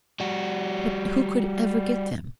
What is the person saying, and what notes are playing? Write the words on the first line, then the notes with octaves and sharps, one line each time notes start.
But who could ever get them?
G3 F#4